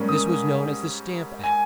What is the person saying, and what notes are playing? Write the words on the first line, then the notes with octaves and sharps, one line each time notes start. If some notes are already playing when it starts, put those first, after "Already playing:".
This was known as the Stamp Act.
Already playing: G#2 G3 A#3 C#4
D#6
G#5